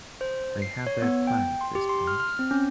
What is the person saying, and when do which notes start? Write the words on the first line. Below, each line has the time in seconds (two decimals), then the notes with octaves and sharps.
They had their plan, at this point.
0.21 C5
0.62 C7
0.87 C#5
1.02 B3
1.27 G5
1.61 C6
1.75 G4
1.89 C6
2.07 F6
2.20 F6
2.39 C4
2.51 C#4